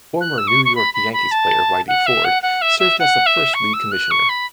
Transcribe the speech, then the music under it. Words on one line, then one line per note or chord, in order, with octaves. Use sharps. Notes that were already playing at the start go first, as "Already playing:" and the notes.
Former New York Yankees player Whitey Ford served as the first league commissioner.
F#6
E6
C#6
C#6
B5
B5
B5
A5
F#5
E5
F#5
F#5
E5
E5
F#5
E5
C#6
E6
F#6
C#6
B5